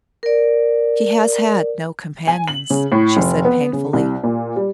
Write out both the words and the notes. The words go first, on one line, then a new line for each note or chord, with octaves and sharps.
"She has had no companions," she said painfully.
A#4 D5
G#5
F#7
C#3
A2
F1
B3
C#3
C2
A#2
G3